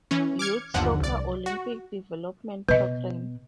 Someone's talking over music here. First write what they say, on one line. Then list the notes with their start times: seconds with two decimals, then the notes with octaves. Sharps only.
Youth Soccer Olympic Development Program.
0.11 E3 C#4
0.39 D6 F6 G#6 C#7
0.74 G1 D#2 D3 F3 F#5
1.00 C2 D5
1.46 F#4
2.69 B2 B4 D#5